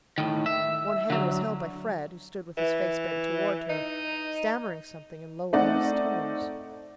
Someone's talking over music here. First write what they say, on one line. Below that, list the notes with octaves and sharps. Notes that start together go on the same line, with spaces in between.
One hand was held by Fred, who stood with his face bent toward her, stammering something in low earnest tones.
A2 D#3
E5
D3 F#3
E3
D#4
A3 C4 D#4 D5 D#5 F#5